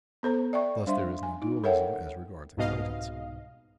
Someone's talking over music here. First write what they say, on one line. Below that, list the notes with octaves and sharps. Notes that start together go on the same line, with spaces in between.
Thus there is no dualism as regards acquaintance.
B3 A4 C5 A#5
D5 E5 G5 C#6
G3 D4 C5 E5 F5 C6
G#5
D#4
A4 A#4 C#5 E5 F#5 G5
C2 G#2 B2 D#5 F5